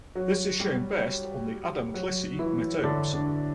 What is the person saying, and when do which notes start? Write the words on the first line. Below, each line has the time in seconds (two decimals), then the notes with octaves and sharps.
This is shown best on the Adamklissi metopes.
0.15 F#3 F#4
0.60 G3 G4
1.94 F#3 F#4
2.39 E3 E4
2.84 D3 D4
3.13 D3 D4